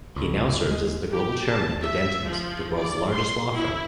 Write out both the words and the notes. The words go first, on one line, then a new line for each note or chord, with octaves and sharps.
He now serves as the global chairman of Dentons, the world's largest law firm.
C#2
G#3
G4
A5
E5
F3
D5
C6
E4